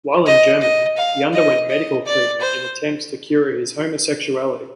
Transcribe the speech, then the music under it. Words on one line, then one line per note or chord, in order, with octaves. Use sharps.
While in Germany, he underwent medical treatment in attempts to cure his homosexuality.
D#5
D#5
F5
D#5
D#5
D5
C5